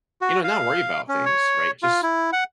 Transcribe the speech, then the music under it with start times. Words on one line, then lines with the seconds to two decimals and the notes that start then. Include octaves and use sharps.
you know, not worry about things, right? Just
0.21 F#4
0.44 F5
1.08 C#4
1.26 C#5
1.83 F4
2.03 E4
2.33 F#5